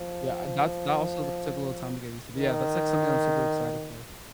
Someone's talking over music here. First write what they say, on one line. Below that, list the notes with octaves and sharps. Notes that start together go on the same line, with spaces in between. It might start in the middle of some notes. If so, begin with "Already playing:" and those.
Yeah, that's that also took a little time to get used to, but, yeah, that's, like, something I'm super excited for.
Already playing: F3
D#3